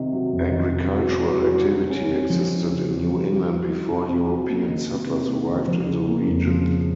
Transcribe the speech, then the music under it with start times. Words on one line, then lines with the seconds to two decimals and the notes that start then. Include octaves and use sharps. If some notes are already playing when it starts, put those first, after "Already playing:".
Agricultural activity existed in New England before European settlers arrived in the region.
Already playing: C3 D#3
0.13 F#3
0.33 F2
0.51 D#3
0.72 C3
0.92 F#4
1.12 C#4
1.31 F#3
1.52 F#3
1.70 F#4
1.90 C#4
2.10 C4
2.30 F3
2.50 D#4
2.71 C#3
2.90 C4
3.10 F3
3.29 C4
3.49 F#3
3.70 D#4
3.90 C3
4.09 C4
4.29 F#3
4.49 A#3
4.69 D#3
4.88 C3
5.08 C3
5.28 A#3
5.48 D#3
5.68 F3
5.87 C#3
6.08 A#3
6.27 F2
6.47 F3
6.66 C#3